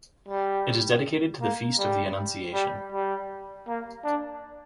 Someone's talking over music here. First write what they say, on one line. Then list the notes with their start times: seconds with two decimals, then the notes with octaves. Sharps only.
It is dedicated to the Feast of the Annunciation.
0.28 G3
1.41 A#3
1.78 G3
2.54 G3
2.92 G3
3.68 A#3
4.04 D4